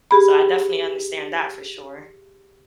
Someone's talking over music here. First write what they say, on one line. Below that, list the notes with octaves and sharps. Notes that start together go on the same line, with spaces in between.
so I definitely understand that for sure.
G4 G#4 B5